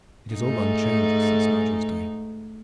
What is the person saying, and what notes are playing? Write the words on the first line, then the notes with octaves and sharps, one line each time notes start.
It is all unchanged since Nigel's day.
G#2 A3 D#4